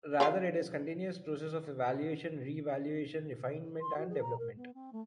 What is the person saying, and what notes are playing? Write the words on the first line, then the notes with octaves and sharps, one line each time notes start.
Rather it is a continuous process of evaluation, reevaluation, refinement, and development.
C#3 F#3 F4
C6
F#4
G#4
A#5
A#4
B3
C4
A3